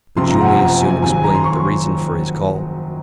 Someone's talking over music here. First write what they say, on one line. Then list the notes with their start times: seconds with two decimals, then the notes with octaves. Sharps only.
But Julius soon explained the reason for his call.
0.17 F#1 F2 C3 F3 C6
0.31 A#5
0.41 F#5
0.46 G#5
0.58 A#5
0.80 G#5
1.02 G#1 G#2 F#3 G#5
1.13 G#5
1.24 A#5
1.35 C6
1.44 C#6